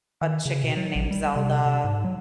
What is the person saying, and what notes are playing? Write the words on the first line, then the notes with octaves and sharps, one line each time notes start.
a chicken named Zelda,
D#3
C#3
B2
F#3
A1
G3
C3
C3
G#2
F#3